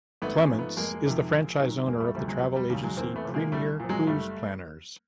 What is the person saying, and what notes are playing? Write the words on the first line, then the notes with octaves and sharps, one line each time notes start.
Clements is the franchise owner of the travel agency Premier Cruise Planners.
G#1 A3 B3
B3 C#4
G#2 F3
A3 B3
F1 G#3 A#3
F2 C3 D#3
A#1
G#2 D#3 F#3
E1 G#3 A#3
G3 A3
D2 C3 F3 G3 A3
F#3 G#3
F1 F#3
G3
D#2 C#3 F#3 G3
F#3 G#3
E2 A#3 C4
A3 B3
C3 F3
G#3 A#3
C2 G3 A3
A#2 F3
F#3 G#3
F#1 G3 A3